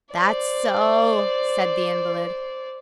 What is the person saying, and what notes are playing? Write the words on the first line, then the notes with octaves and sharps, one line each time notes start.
"That's so," said the invalid.
C5 D5